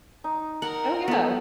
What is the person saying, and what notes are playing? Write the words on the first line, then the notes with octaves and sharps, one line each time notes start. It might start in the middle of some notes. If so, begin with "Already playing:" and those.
Oh, yeah.
D#4
A#4 F#5
B3 A4